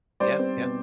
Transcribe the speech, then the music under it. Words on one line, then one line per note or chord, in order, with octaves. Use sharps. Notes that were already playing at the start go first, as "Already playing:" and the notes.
Yeah, yeah.
G3 C5 D5
C4
B2